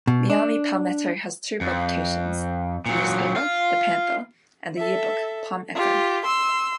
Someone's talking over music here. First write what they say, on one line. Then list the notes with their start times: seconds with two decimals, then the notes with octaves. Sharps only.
Miami Palmetto has two publications: the newspaper, "The Panther", and the yearbook, "Palm Echo".
0.07 B2
0.30 D4
1.61 F2
2.86 A#2 F#3
3.36 F4
4.77 A4 E5
5.74 F4 G4
6.25 C6 E6